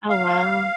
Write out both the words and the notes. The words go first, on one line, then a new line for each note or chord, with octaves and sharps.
Oh, wow.
F5